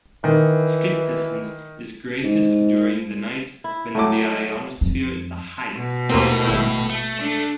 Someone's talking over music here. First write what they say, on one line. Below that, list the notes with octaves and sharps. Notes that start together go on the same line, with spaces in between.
Skip distance is greatest during the night when the ionosphere is the highest.
D#3 E3
G#2
E4
A2 F#3 A3 D6
F2
B2
D#2 A2 A#3 C4
G#1 E4 G5
A3
D4